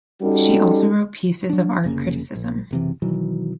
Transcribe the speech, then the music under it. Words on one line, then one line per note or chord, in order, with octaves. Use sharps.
She also wrote pieces of art criticism.
G3 C#4 D#4 F#4 G4 A4
F#3 D4
F1 C#3 A#3
A#1
F#1 C3 E3
B2 D#3 E3 F#3